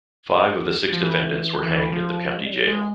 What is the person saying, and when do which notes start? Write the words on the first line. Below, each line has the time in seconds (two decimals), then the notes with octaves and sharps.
Five of the six defendants were hanged at the county jail.
0.93 F3
1.04 E3
1.63 E3
1.92 F3
2.37 G#3
2.45 G3
2.53 F#3
2.67 G#3